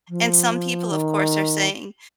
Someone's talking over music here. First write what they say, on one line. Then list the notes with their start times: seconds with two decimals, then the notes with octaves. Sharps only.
and some people, of course, are saying,
0.09 F3
0.91 D#3